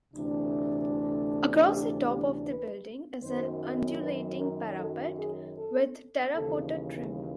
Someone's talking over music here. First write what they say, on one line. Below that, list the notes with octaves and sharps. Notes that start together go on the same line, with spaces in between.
Across the top of the building is an undulating parapet with terra cotta trim.
D2 C3 E3 A3 D4
G4
G4
B4
F#2 D#3 F#3 C5
B4
A#4
A4
G#4
A4
D#2 C#3 E3 A4